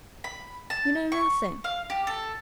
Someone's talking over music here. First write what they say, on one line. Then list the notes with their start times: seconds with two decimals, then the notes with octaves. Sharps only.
"You know nothing."
0.24 B5
0.70 A5
1.12 C#6
1.64 F5
1.90 G4
2.07 A4